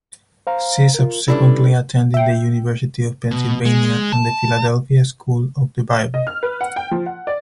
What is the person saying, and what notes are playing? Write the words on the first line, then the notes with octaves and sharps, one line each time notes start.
She subsequently attended the University of Pennsylvania and the Philadelphia School of the Bible.
C5 F5 A#5
F4 A#4
G3 C#4 D4 E4 A4 B4
E5 G5
B2
G#3
A5
D#5
F6
B4
F#5
G5
F3
F#5
D5